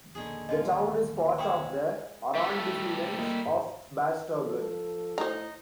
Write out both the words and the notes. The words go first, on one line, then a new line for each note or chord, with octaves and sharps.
The town is part of the Arrondissement of Bastogne.
D#1 A#1 D#2 D3 D#3 G#4
D3 F4 D#5
G#3 E4 G#4 G5 A#5 C#6
G3 A3
A#3 D#5
G#2
F3
A4
A2 D#4 C5 A#5